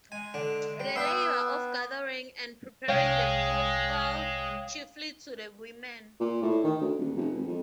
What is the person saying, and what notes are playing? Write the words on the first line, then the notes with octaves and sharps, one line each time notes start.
The labor of gathering and preparing the food fell chiefly to the women.
G#3 G#5
D3 D4
G3
B3 E5 G5 C6 E6
C2 G#3 C#5 F5 G5
A#2
A2
D#3
D2
D#1
F1
G#1
F2